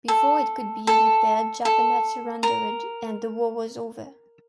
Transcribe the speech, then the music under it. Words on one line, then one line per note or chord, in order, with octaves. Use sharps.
Before it could be repaired Japan had surrendered and the war was over.
A4
A4
A4
A#4